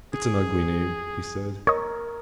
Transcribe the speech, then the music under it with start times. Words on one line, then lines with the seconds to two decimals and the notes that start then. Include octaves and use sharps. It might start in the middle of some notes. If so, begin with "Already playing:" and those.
"It's an ugly name," he said.
0.13 G#4
1.67 A#4 C#5 D#5